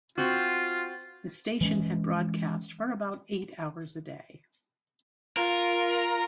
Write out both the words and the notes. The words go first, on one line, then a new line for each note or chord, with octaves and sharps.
The station had broadcast for about eight hours a day.
C4 F4 F#4
E3 G#3 C#4
F4 A#4